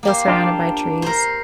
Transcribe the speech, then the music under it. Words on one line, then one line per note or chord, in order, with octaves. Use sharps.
Still surrounded by trees.
A#3 G4 C5
D4 F4
A#4 C5